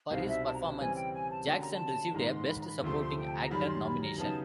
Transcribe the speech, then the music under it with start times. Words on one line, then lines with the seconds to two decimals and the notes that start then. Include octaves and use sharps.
For his performance, Jackson received a Best Supporting Actor nomination.
0.10 C2 B2 G3 C4 D#4 F5
0.28 E5
0.44 A5
0.53 A#5
0.61 A5
0.79 C#3 E3 G3 C4 G#5
0.95 G5
1.13 G#5
1.29 A5
1.47 D3 G3 A#3 C#4 F#4 A5
1.60 A#5
1.73 A5
2.14 G#2 D#3 G#3 A#5
2.31 C6
2.48 B5
2.61 A#5
2.66 B5
2.82 D2 C3 F3 A3 C6
2.99 C6
3.16 G5
3.29 A5
3.34 A#5
3.50 F#2 D#3 G3 B5
3.68 C6
3.85 B5
4.02 A#5
4.18 C#3 F#3 B3 D#4 G4 A5